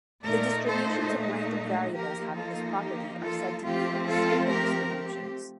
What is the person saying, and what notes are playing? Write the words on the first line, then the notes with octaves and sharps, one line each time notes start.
The distributions of random variables having this property are said to be "stable distributions".
A#2 A3 D#4 A#4 D5
A4 C5
F3 A#3 D#4 G4 A#4
F4 A4
G4
F4 A4
F3 A3 C4 F4 G4
F4 A4
G4 A#4
G4